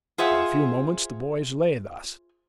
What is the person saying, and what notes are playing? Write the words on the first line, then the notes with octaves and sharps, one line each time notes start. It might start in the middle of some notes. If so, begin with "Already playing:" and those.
For a few moments the boys lay thus.
F4 G#4 C5 E5 F#5